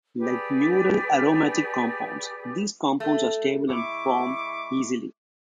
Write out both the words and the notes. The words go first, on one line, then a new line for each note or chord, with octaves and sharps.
Like neutral aromatic compounds, these compounds are stable and form easily.
G4 G#4 B4 D5
A3
G#3 E4 E5 C#6 D6